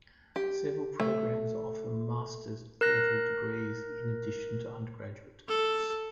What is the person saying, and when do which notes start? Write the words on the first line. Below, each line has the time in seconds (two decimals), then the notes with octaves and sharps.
Several programs offer masters level degrees in addition to undergraduate degrees.
0.36 G4
1.00 A3
2.81 A#4 F#6 A#6
5.48 A4